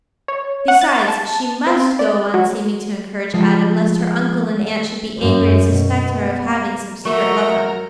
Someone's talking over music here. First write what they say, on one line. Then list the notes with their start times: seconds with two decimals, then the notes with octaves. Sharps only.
Besides, she MUST go on seeming to encourage Adam, lest her uncle and aunt should be angry and suspect her of having some secret lover.
0.28 C#5
0.68 F#5
0.81 A6
1.08 A5
1.67 C4
1.99 D5
2.34 F#3
3.34 F3 G#3
5.19 F#2
5.66 B2
6.10 B3
7.05 F#3 A3 A#4 E5 A#5 C#6